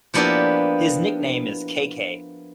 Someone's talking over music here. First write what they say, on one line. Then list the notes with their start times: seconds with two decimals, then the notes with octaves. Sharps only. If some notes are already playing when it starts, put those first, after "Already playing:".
His nickname is K-K.
0.14 F3 A#3 B3 D4 E4 G4